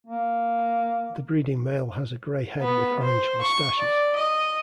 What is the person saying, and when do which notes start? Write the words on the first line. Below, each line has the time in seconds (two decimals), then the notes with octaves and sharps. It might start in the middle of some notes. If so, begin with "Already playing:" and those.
The breeding male has a grey head with orange moustaches.
0.06 A#3
2.61 B3
3.02 C5
3.41 C#6
3.78 D5
4.16 D#5